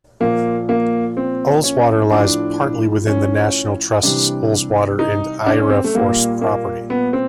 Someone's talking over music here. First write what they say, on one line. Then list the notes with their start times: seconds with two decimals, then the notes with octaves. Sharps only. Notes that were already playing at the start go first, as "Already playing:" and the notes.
Ullswater lies partly within the National Trust's Ullswater and Aira Force property.
0.20 A#2 F3 A#3
0.69 A#3
1.17 C4
1.64 C#4
2.11 A2 F3 D4
3.07 C#4
4.03 C3 E3 G3 D4
4.99 D#4
5.46 D4
5.58 C#4
5.70 C4
5.84 A3
5.94 A#2 G3 A#3
6.41 A#3
6.90 B3
7.13 C4